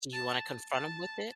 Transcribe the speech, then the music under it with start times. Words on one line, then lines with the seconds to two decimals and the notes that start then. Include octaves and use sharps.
Do you wanna confront him with it?
0.14 A5
0.72 A5